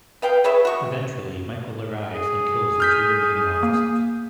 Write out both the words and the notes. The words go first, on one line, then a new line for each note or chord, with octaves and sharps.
Eventually, Michael arrives and kills the two remaining officers.
B4 F5 G5
G#4 B4 C#5 E5
F#4 C#6
G#4
F6 G6 B6
A#3